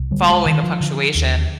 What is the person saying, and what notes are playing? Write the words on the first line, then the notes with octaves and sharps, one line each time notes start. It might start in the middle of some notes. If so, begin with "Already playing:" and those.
following the punctuation,
Already playing: C2
D3 G3
A#3
G#3
D3 D#3
F3
D3
D#2